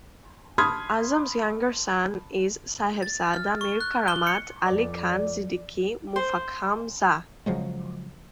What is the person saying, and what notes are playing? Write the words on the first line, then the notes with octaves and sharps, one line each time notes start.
Azam's younger son is Sahebzada Mir Karamat Ali Khan Siddiqi Muffakham Jah.
A5 B5 C6 D#6 F6 G#6
A6
F6
C#6
F#6
G7
C#7
F2 D5
C5
C#3 F3 F#3 G#3